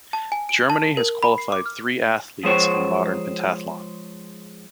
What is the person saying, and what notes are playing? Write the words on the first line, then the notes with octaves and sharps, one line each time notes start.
Germany has qualified three athletes in modern pentathlon.
A5
G#5
D7
A5
A#4
B5
C7
D6
F6
F3 G#3 C5 C#5